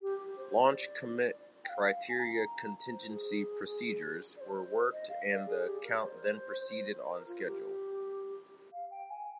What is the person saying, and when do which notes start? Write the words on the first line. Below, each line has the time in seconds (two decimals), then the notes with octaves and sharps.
Launch Commit Criteria contingency procedures were worked and the count then proceeded on schedule.
0.01 G4
0.37 C5
0.55 D5
1.64 G5
1.69 F5
2.09 G#5
2.19 A#5
2.47 A#5
2.91 C5
3.10 G#4
4.37 D5
4.41 C5
4.92 D#5
5.09 F5
5.28 D5
5.46 G#4
5.64 G4
5.83 A#4
6.01 D5
6.04 C5
7.10 A#4
7.27 F4
7.45 G4
8.73 F5
8.91 G5
9.09 G#5